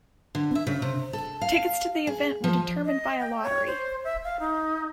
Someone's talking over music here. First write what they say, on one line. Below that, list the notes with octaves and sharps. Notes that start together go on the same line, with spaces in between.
Tickets to the event were determined by a lottery.
D3
E5
C#3
C3
A4
F5
G#4
F3
D#5
G5
C#5
C5
E5
F5
D#4